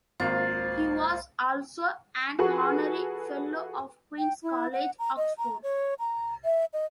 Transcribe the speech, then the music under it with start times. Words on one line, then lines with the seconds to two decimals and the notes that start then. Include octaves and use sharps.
He was also an honorary Fellow of Queen's College, Oxford.
0.20 G#1 A#3 F4 C5 F5
2.38 F3 F#4 G#4 A4 B4 C#6
4.18 G5
4.43 E4
4.73 F#5
4.99 A#5
5.17 D#5
5.38 A#5
5.63 C#5
5.99 A#5
6.45 E5
6.73 D#5